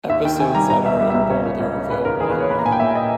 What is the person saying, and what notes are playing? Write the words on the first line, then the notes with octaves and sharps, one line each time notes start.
Episodes that are in bold are available online.
D#2 E5
D#3 G5
D#3 G#5
G3 A#5
B2 A#5
C#2 E5
G3 E5
E5
C#2
C#3 C#5
C#2
C#2
C#4
C#3 B4
D#2 A#4
E3 G#4
B4
C#3
C#5
A#3 B5
A#5
A#2 G#5
G5
A#2 E5
A#3 D#5